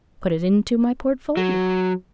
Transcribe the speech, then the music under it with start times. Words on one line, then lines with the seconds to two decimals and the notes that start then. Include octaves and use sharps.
"Put it into my portfolio."
1.37 F#3